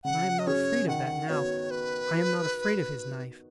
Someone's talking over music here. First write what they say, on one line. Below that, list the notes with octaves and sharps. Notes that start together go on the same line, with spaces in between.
But I am not afraid of that now, I am not afraid of his knife.
C#3 F#5
D#5
F#3 C#4 G#4 C#5
D#3 F#5
B3 F#4 C#5
B4